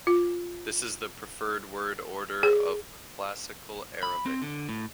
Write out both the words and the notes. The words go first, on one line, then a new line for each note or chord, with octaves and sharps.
This is the preferred word order of Classical Arabic.
F4
G#4
B5
C4
D3
A2